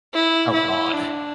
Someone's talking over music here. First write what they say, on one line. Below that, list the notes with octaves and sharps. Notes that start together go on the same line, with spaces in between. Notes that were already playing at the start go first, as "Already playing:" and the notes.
Oh god.
E4
E4
D4